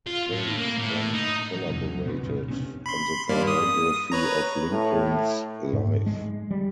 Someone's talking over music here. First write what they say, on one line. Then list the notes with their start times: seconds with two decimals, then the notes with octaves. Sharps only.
They then collaborated on the biography of Lincoln's life.
0.07 F4
0.31 A2
0.58 A#3
0.78 A2
1.14 D#4
1.56 F#3
1.68 F1 E2 C3 F3
1.83 E1 C2 F#3
2.05 C2 A#2 B3
2.23 F1 B1 C#3
2.48 F1 C3 B3 C#4
2.86 B5 C6
3.29 G2 G3 A#3
3.47 D#6
4.12 B4 C#5 A#5
4.67 A2
5.73 G#2
6.06 G#3
6.51 G3